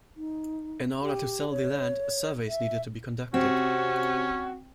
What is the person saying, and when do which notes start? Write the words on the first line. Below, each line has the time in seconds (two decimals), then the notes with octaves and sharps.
In order to sell the land, surveys needed to be conducted.
0.16 D#4
1.03 G4
1.50 C#5
2.48 E5
3.34 C3 C4 C#4 F#4